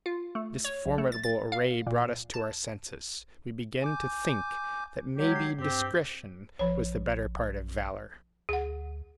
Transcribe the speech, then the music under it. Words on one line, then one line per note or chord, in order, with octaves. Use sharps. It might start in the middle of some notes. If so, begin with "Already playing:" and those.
This formidable array brought us to our senses: we began to think that maybe discretion was the better part of valor.
F4
A3
C#5
B1
A3
A6
A6
F5
A#2
A5
G#5 D6 G6
F#3 G#3 G4
G#6 C7
G2 C4 G4
A#1 F3 C#5
D2 G#4 F#5